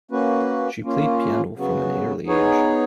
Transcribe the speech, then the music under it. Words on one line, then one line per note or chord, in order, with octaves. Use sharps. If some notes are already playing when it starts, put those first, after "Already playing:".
She played piano from an early age.
A#3 C#4 F#4 B4
A#3 C#4 F4
C#3 F#3 B3 F#4
B3 D#4 G#4 C#5